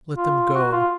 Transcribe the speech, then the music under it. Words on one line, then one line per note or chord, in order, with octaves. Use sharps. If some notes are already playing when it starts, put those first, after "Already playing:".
Let them go!
F4
F#4
F4